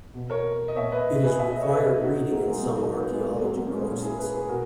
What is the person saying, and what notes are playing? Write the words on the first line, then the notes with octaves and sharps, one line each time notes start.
It is required reading in some archaeology courses.
B2
A#4 C#5
D#5
A#2 C#5 E5
B4 D#5
G#4 B4
B2 E5
D#5
C#5
B4 D#5
B2 D#4 F#4
F#3 A#3
F#3
G#3
A#2 F#3 A#3
D#4 F#4
B3 D#4
G#3 B3
A#2 G#3
F#3 A#3
F#3 A#3
C#4
G#3 B3
A#2 A#3 C#4
E4 G#4
G#4 B4
G#4 B4
B2 F#4 A#4